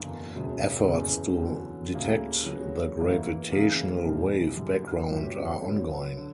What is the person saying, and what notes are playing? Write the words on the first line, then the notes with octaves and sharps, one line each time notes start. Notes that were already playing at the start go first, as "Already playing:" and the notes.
Efforts to detect the gravitational wave background are ongoing.
Already playing: F#1 E2 D3 A#3
E1 D2 C#3 F#3
F#1 E2 C#3 E3
E2 D3 F#3
D2 C#3 G3 A#3 E4
C#3 F#3 B3 F#4
G1 G2 E3 A#3 E4
C#3 E3 A#3 E4 A#4
E1 E2 D3 G3
F#2 D3 G3
G1 G2 F#3 C#4 G4
D3 F#3 B3
D3